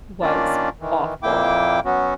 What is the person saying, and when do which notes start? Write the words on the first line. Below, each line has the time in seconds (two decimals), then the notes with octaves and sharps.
was awful,"
0.22 D#3 A#3 C#4 D4 F4 D5
0.80 D#3 E3
1.23 F2 A#2 A#3 E4 G5 D6
1.85 F#3 B3 C#4 F#4